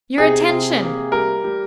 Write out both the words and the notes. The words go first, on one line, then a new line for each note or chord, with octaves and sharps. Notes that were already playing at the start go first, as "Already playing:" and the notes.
Your attention!
C3 G#4
C3
A#3
G3 A#4
G3